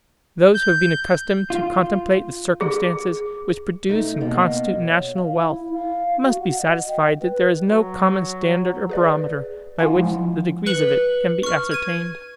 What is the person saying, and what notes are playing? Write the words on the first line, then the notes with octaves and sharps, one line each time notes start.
Those who have been accustomed to contemplate the circumstances which produce and constitute national wealth, must be satisfied that there is no common standard or barometer by which the degrees of it can be ascertained.
G6
F4
G#4
A3 D#4
B2 A#3
C#5
F5
E4
F5
F#4
F#5
D#5
G5
B4
F#3
G#4 B4 D5
E4 F4 F5 F#5 G#5
F3 G#3
B4 F#6 C#7 F#7
C#6 F6
G#6 D#7